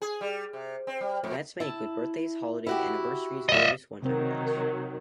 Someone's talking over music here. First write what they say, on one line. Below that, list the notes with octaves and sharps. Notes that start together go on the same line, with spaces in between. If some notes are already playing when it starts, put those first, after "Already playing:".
Events may include birthdays, holidays, anniversaries, various one-time events.
G#4
G3
C3
C4
G3
F2
E4 A5
E4 F#4 G4
D#5 E5
C3 D#3 F#3 C4